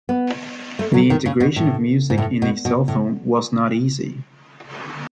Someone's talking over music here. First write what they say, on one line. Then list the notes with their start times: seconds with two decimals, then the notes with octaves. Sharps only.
The integration of music in a cellphone was not easy.
0.09 B3
0.79 A3
0.94 F#3
1.10 D#3
1.26 C#3
1.40 B2
1.56 A2
2.10 G#2
2.18 A2
2.42 B2
2.65 B2
2.88 A2